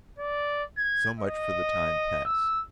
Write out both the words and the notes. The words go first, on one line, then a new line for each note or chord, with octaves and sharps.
So much for the time past.
D5
G#6
D#5
E6